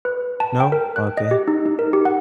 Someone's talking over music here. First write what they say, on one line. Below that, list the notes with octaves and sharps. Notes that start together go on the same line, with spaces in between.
No? Okay.
B4
A5
G5
A#4
F#6
D#5
G4
D#4
D#4
A#4
G4
F#5